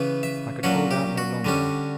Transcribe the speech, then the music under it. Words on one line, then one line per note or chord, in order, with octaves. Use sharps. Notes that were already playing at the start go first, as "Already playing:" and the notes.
I could hold out no longer.
Already playing: C#3 E3 B3
E5
A#2 F#3 C#4 F#5
G4
F#4
D3 G3 C#4